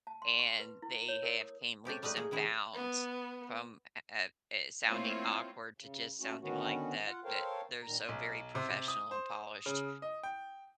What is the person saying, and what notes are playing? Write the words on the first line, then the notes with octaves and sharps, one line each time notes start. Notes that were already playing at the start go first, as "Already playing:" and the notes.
and they have came leaps and bounds from uh uh uh uh, sounding awkward to just sounding like that that they're so very professional and polished.
A5
C6
C#6
B4
E4
C#5
A#4
D#6
C3 G4 A4 C#5
G3 A3 D#4 B4
A#3 G#4
C3 D#3 E4 G#4
B3
A3 A#3 C4 E4 F4 C#5
C#3
A3 C#4 F#4
D3 D#3 B3 C#4 F#4
F4 F#5
A4 A#4 C5 C#5 F5 G5
A#2 D#3 A#5
B1
C3
C3
D#6
C5
C#3
D#5
G5